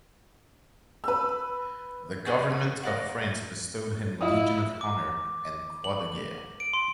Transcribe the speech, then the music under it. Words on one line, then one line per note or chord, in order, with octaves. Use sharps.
The Government of France bestowed him Legion of Honour and Croix de Guerre.
B4 E6
C#4 G4 G#4 C#5 D5 F#5
A3 A#3
G#4 A#4 B4 D5 F5 F#5
E4 F4 D#5 D#6
D6
F#7
D7
C6